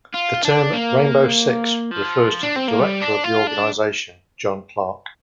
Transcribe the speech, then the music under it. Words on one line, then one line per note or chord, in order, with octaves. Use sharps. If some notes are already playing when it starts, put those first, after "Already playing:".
The term "Rainbow Six" refers to the director of the organization, John Clark.
F4
D4
A#3
F3
D4
C4
A#3
G3
D4
F4
D4